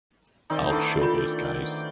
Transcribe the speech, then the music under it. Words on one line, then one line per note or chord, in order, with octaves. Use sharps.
I'll show those guys.
D#3 C4 D#4 D5 G6
D3 E3 A3
F4 B5